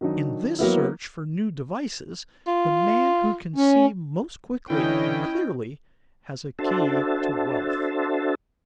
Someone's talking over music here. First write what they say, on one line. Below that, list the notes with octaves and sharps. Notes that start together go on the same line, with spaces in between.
In this search for new devices the man who can see most quickly and clearly has a key to wealth.
D#3 F#3 D4 D#4
F#3 A#3 B3 E4
F4
C#4
D3 E3 C#4 E4 D#5 G5
D4 F#4 A4 C5 E5 A5